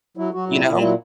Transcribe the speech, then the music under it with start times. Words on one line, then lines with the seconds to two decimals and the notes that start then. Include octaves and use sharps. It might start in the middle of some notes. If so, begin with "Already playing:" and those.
you know?
0.17 F#3 E4
0.34 F#3 F#4
0.49 A#2 E4
0.66 A#2
0.81 F#3 E4